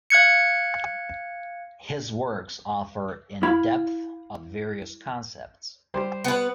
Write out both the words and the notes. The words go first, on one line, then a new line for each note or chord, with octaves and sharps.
His works offer in-depth of various concepts.
F5 F#6 G#6 C#7
E4 F5 B5
G3 C5
B3 B4